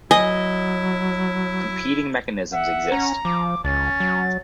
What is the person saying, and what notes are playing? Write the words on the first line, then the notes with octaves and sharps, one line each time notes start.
Competing mechanisms exist.
F#3 E4 D#5 G#5
E5 F#5
C#4 A#5
F3 D6
C#2 C#4 A6
F#3